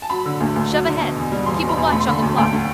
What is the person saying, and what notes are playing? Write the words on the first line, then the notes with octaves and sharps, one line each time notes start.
Shove ahead. Keep a watch on the clock.
A5
F#3 B5
D3
D2
D2
F#3
D3
B2
E2
G3
E1 C6
B2
B5
E2
A3 B5
C6
D3 B5
D2
D2 G5
A3